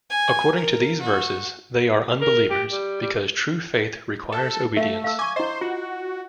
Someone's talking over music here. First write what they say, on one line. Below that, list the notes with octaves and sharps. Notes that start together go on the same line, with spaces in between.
According to these verses, they are unbelievers; because true faith requires obedience.
G#5
A#4
F#4
A#4
G4
G3
G3
A4
A3 E5 F5
F5 E6
G#5 C#6 D6
E4 C5 D#5
F4 F#4